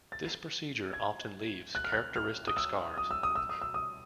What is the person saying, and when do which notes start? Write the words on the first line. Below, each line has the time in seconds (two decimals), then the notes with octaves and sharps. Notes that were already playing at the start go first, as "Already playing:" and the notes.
This procedure often leaves characteristic scars.
0.12 A6
0.94 G#6
1.75 F#6
1.84 F6
1.92 F#6
2.16 F6
2.48 D#6
2.57 E6
2.98 D#6
3.11 E6
3.23 D#6
3.35 E6
3.49 D#6
3.62 E6
3.74 D#6